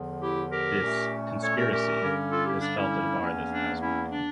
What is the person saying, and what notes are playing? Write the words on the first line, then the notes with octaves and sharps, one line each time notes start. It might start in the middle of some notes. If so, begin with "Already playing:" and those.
This “conspiracy” was felt at a bar this past weekend.
Already playing: E2 D3 F3
E4 G4
G4 A#4
A#2 A3 C#4
A4 C#5
G4 A#4
G4 A#4
G2 D3 G3 C#4
F4 A4
E4 G4
D4
C#4 E4
E2 E3 A#3 C#4
D4
C#4 E4
D4